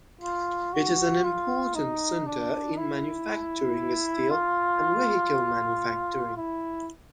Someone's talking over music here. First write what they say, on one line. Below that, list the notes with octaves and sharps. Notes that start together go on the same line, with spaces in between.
It is an important center in manufacturing steel and vehicle manufacturing.
F4
F#4
F4
D#4
D4
E4
F4
E4